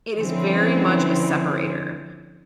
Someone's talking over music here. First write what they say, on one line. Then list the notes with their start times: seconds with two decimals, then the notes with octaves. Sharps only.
it is very much a separator.
0.19 D3 E3 F3 C4 C#4